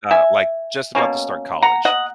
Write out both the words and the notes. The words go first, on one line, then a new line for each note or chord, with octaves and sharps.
uh, like, just about to start college,
E5 G#5
B2 F#3 A#3 C#4
F#5 A#5
D#5 F#5